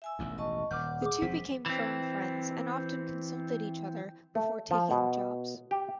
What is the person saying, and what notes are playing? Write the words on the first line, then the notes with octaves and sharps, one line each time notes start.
The two became firm friends and often consulted each other before taking jobs.
E5 G#5 E6
E1 A1 D#2
D#5 A5 C#6
D#1 F#5 D6 F6 G6
G#4 D6
E1 D#3 F3 C4 B6
E3 C4
A3
F3
B2
G4